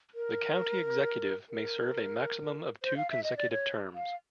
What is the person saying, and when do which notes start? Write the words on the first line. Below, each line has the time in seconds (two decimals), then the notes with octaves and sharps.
The County Executive may serve a maximum of two consecutive terms.
0.15 A#4
1.49 A#4
2.83 C5
2.97 F5
3.11 E5
3.23 D#5
3.37 D5
3.51 C#5
3.95 F5